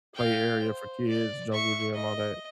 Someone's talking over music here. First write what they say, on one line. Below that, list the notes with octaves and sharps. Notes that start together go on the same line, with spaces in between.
play area for kids, jungle gym, all that.
F5 G5
C5
D5
E5 C#6
D#5